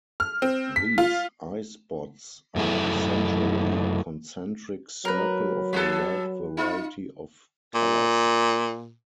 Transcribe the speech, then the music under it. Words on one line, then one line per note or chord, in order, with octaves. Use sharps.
These eyespots are essentially concentric circle of a wide variety of colours.
F6
C4
B6
F4
F#2 A3 E4 G#4
F#3 A#4 B4
G3 A4
D#4 F4
A#2